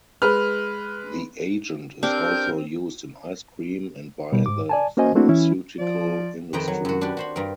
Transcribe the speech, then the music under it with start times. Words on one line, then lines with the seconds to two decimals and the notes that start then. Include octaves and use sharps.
The agent is also used in ice cream and by the pharmaceutical industry.
0.22 G#3 B4 F6
2.03 C4 D4 G4 A#4 G6
4.32 B2 G3
4.46 G#2 D6
4.69 D5 G#5 A5
4.97 A#3 C#4 F#4 C5 D#5 G#5
5.15 A3 A#3 C4 D4 E4 F#4
5.29 E3 C#4 E4
5.79 F3 D5
6.53 F2 D#3 B4 D#5 G5 A#5
6.68 F#3
6.85 F#2 F#4
7.01 D4 F#4 G4 B4
7.17 F#4 C5 B5
7.36 G2 G3 A#4